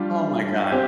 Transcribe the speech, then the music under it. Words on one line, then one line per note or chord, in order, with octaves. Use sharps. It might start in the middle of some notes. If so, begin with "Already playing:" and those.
Oh my god.
Already playing: G3 D4 F4
C4 G4